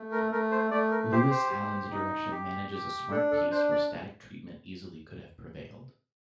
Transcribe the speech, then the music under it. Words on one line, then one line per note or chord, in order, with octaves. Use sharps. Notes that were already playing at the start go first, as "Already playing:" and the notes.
Lewis Allen's direction manages a smart piece where static treatment easily could have prevailed.
Already playing: A3
A#4
A3 A#4
C5
A3 D5
A#4
G4 C5
C5
G4
D#4
G4
G4
D4 A4
A4
D4 C5
D5